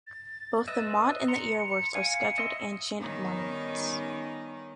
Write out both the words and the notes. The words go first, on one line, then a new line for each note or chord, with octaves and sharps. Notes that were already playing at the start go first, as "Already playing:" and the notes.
Both the motte and earthworks are Scheduled Ancient Monuments.
A6
B4 D#5 E5
A#5 C6 C#7
C#7
F5 G#5 C#7
D#5 E5 C6
D#3 G3 B3 C#4 D#4